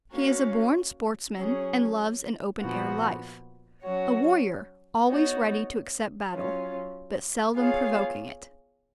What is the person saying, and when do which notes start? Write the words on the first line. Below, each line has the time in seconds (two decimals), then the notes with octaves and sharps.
He is a born sportsman and loves an open-air life--a warrior, always ready to accept battle, but seldom provoking it.
0.12 A#3 C#4 F#4 C#5 F5
1.36 F#3 C#4 G#4
2.60 A#2 F3 B3 F#4
3.83 F#3 C#4 F#4 C#5
5.08 B3 D#4 F#4 C#5
6.32 F#3 C#4 F4
7.54 B3 F4 G#4 C#5 F5